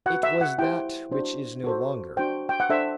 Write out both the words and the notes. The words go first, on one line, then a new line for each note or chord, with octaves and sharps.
It was that which is no longer.
F#4 B4 F#5
E5
F#5
E4 G4 C5 G5
D4 F#4 C5
F#4 A4 C5
D4 F#4 C5 G5
G5
F#5
D4 A4 C5 E5